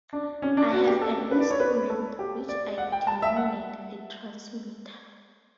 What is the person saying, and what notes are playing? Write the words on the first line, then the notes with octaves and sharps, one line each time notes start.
I have an instrument which I denominate a transmitter.
D4
C#4
D4
F#4
G4
A4
B4
D5
C#5
B4
A4
G4
D5
F#5
G5
A5
E5
F#5